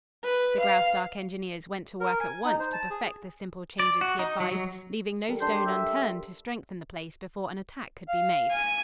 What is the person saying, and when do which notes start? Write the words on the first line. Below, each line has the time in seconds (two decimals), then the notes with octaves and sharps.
The Graustark engineers went to work at once to perfect the simple changes he advised, leaving no stone unturned to strengthen the place before an attack could be made.
0.24 B4
0.60 F5
2.01 A#4
2.20 G#5
2.45 D#4
2.60 C5
2.73 A5
2.90 G#4
3.80 D5
4.01 F#4
4.19 D#4
4.40 F#3
4.51 F#3
5.29 G3 A4 A#4
5.41 D4 C5 C6
5.67 E5
8.08 F5
8.52 G#5